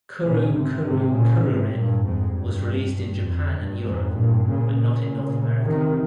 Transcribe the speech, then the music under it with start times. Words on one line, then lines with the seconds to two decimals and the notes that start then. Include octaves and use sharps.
"Kuru Kuru Kururin" was released in Japan and Europe, but not in North America.
0.23 A#2 C#3
0.53 G#2 C3
0.83 G#2 C3
1.13 A#2 C#3
1.43 G#2 C3
1.74 G2 A#2
2.03 F2 G#2
2.34 G2
2.93 G2
3.24 F2
3.54 G2
3.84 F2 G#2
4.14 G2 A#2
4.44 A#2 C#3
4.75 A#2 C#3
5.65 C3 D#3